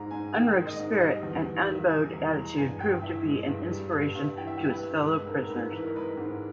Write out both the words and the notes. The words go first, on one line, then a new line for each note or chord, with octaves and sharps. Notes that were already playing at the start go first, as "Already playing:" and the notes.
Unrug's spirit and unbowed attitude proved to be an inspiration to his fellow prisoners.
Already playing: G#2 G#3 A#5
G#2 G#5
D#3 G5
G#3
D#5
G#2
G3 D#5
E2
E2
D#3 E5
G3 G#5
E2 A#5
G#3 A#5
G2 G#5
G2 G5
E3 E5
G#3
G2
G3
G2
G2
E3 G5
E5
G3 G5
B4
G2
G#3 B4
G#2 A#4
A#4
G#2 B4
E3 B4
A#4
G#3 B4
G#2